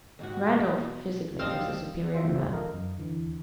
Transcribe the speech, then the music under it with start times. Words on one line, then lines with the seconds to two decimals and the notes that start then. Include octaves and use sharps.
Randolph, physically, was a superior man.
0.19 D#2 G#2 F#4
0.48 B2
1.39 F2 G3 C4 D#5 F5 E7
2.14 F4 C5 E5
2.51 A4 A#4 D#5 F5
2.74 F#2
2.96 D#2 D3 E3